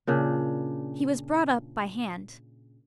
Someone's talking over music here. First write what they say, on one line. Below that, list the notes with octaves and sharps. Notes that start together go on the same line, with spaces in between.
He was brought up by hand.
A#2 C#3 D4